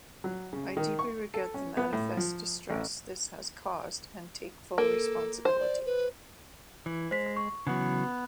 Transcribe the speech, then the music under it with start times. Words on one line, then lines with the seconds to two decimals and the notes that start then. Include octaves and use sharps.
I deeply regret the manifest distress this has caused and take full responsibility.
0.24 F#3
0.53 C#3
0.77 D#3
0.99 C#6
1.34 A4
1.54 C#4
1.77 B3
1.93 A2
2.17 F3
2.70 A1
4.78 A#3 A4
5.45 C5 C6
5.60 D5
5.86 B4
6.86 E3
7.11 G#3 C5 B6
7.36 C#6
7.67 C#3 E3 F#3 B3